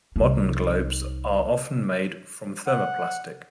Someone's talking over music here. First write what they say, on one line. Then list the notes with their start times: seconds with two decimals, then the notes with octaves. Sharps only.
Modern globes are often made from thermoplastic.
0.16 C2 D#4
2.67 F#5